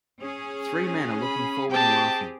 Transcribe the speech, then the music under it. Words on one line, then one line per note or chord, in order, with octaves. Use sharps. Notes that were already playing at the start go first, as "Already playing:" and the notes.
Three men are looking forward and laughing.
C#4 G#4
B5
C4 G4 G#4 G5 A5